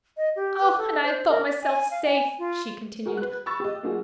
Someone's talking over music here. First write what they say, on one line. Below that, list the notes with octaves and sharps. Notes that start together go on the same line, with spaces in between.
"Oh! and I thought myself safe," she continued.
D#5
G4
B4
A4
C5
A#4
D5
G#5
F5
G#5
F4
F#4 G#4 A#4
B4 F#6
B5 C#6 E6 A6
G4 D#5
F#3 A#3 D4 F4 F#4 G#4